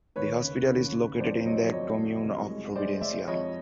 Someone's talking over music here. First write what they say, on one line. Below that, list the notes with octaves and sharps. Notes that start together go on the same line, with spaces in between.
The hospital is located in the commune of Providencia.
D#2 B4 C#5
C#3
D#2
D#2
F2 C5 D5
F#3 C#5 D#5
F2 C#5 D#5
F#3
C2
G#3
G#3 C5 D5
G#3 D5 E5
F2 C#5 D#5